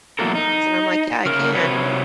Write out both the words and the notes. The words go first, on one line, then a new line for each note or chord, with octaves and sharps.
And I'm like, “Yeah, I can.
E2 B2 F#3 A#3 A4 A#4
D#4
C#3 A#4
C3 F#3 B4 C#5